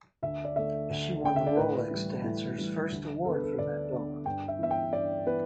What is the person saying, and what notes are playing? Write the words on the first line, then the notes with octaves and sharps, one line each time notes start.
She won the Rolex Dancers First Award for that role.
D2 E5
D5
D3 A3 D4 E5
D2
D3 A3 D4 G5
E5
D5
A2 B4
E3 G3
A2
E3 G3
D2
D3 B3 D4 A4
B4
A4
D2 D5
D3 B3 D4
G2 G5
E5
E3 B3 E5
G5
G2 D5
E3 B3 B4